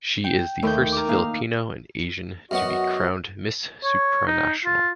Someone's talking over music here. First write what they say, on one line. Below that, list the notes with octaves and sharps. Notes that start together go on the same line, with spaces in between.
She is the first Filipino and Asian to be crowned Miss Supranational.
G5
D#2 A3 G6
A#4 D6
A#3 D#4 F5 A#5
F#2 B3 F#4 D#5 F#5
C#5
D#4
F4